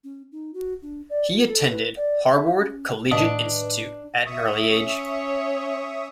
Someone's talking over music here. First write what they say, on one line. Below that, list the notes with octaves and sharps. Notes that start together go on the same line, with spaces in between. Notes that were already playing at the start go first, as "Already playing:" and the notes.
He attended Harbord Collegiate Institute at an early age.
C#4
D#4
F#4
D4
D5
F4
A4
B4
D5
E5
C#4
A2 D#3 D4 B4 D#5 F5 D#6
E5 C#6 D#6
C#4 C#5